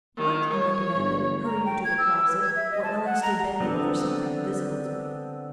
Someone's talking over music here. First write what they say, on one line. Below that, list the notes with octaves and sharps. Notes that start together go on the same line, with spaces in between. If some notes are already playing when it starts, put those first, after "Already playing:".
"What?" I demanded, hurrying to the closet, where Ellen stood bending over something invisible to me.
D#3
G3 C#5
G1
A#5
G5
G#6
E6
B4
G#6
E5
D#5
A5
F#5
A#5
D3 B3 C4 D4